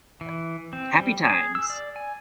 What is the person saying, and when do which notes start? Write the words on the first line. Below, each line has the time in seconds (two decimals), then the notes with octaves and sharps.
Happy Times!
0.21 E3
0.73 C4
0.97 G3
1.24 G#4
1.55 E6
1.70 D5
1.96 G#5